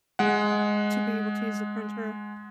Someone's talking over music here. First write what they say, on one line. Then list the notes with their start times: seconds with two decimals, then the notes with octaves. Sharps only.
to be able to use the printer.
0.19 G#3 F#5